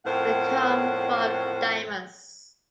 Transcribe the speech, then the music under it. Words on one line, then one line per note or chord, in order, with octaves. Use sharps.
We come from Daimús.
F2 A2 C#4 A#4 C5 F#5